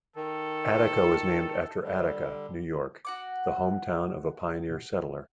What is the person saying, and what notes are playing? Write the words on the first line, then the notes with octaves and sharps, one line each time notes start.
Attica was named after Attica, New York, the hometown of a pioneer settler.
D#3 A4
D3 G3
F#4 F#5 D6